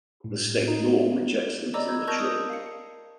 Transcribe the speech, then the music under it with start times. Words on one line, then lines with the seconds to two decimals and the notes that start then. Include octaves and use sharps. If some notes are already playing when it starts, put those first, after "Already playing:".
The state law rejects them as immature.
0.24 A2
0.68 D#4
0.89 B3
1.74 D5 D#5 A#5 B5 D6 E6
1.88 E6 G6 G#6
2.07 A#4 A5 C#6 G6 G#6 A#6
2.19 D#6
2.50 F5 C#7